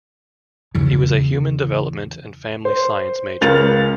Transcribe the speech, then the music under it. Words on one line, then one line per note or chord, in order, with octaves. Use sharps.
He was a human development and family science major.
E2 C#3
C5
C#2 C#3 A#4 A6 F7